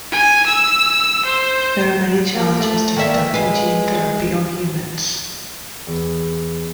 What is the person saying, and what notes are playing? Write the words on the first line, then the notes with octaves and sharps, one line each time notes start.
There are many challenges to conducting gene therapy on humans.
G#5
E6
C5
A#3
A3
D#3 A#3 E5
G#3 B4 F5
E2